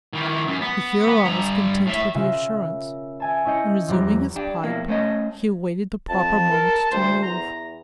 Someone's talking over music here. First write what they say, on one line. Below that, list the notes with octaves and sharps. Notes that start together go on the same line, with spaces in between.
The Huron was content with the assurance, and, resuming his pipe, he awaited the proper moment to move.
D#3 E3
F#2
B3
B3
G2 A#5
A2 E5
C#3 F4 A#4 E5
E5 G#5 A5
C#4 E4 D#5 G6 C#7
E2 F3 G3 G4 B4 A#5
D4 G4
F2 B2 A#3 E4
A3 C#4 C5 D#5
F2 A5
A#4
D2 C5
E2 A#5